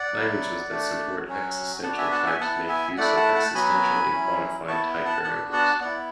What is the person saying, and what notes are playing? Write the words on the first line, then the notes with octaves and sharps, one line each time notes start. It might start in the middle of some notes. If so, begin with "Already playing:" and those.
Languages that support existential types make use of existentially quantified type variables.
Already playing: D5 F#5
F#3 B3 E4
A3 D4 F#4
F#3 C#4 F#4
B3 D4 F#4 F#5 A5
E5 G#5
F#5 A5
E5 G#5
B3 E4 F#5 A5
E5 G#5
A3 E4 D5 F#5
F#5 A5
F#5 A5
F#3 B3 F#4 G#5 B5
F#3 C#4 E4
B3 E4 A5 C#6
F#5 A5
B3 D4 F#4 F#5 A5
F#5 A5
B3 E4 D5 F#5